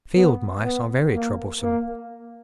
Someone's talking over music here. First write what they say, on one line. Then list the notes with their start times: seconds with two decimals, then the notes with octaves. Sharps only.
Field mice are very troublesome.
0.15 B3
0.64 B3
1.13 A#3
1.62 A#3